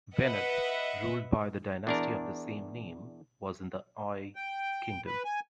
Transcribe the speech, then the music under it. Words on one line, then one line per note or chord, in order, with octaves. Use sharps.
Venad, ruled by the dynasty of the same name, was in the Ay kingdom.
B4 D#5 E5 F#5
E2 D4 A#4
G5
B4
G#5